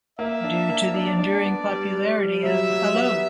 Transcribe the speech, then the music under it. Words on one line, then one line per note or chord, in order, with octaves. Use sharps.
Due to the enduring popularity of 'Allo!
A#3 E5
D4
A#3
D4 D5
D4
B3
G3
G3
G3
F#3 E5
F#3
B3